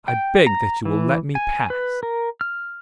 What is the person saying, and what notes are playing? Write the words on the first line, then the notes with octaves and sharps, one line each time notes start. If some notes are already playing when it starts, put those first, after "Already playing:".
"I beg that you will let me pass."
G5
A#5
E3
G#5
B4
A#4
F6